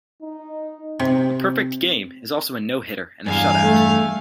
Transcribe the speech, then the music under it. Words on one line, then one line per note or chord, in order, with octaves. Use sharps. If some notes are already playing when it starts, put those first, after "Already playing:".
A perfect game is also a no-hitter and a shutout.
D#4
C3
E2 G2 F5 G#5
A3